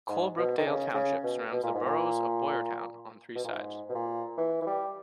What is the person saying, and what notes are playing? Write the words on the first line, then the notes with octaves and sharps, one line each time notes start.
Colebrookdale Township surrounds the borough of Boyertown on three sides.
G#2
B2
D#3
C#3
C#3
B2
B2
A#2
G#2
A#2
B2
A#2
G#2
B2
A#2
E3
E3
G3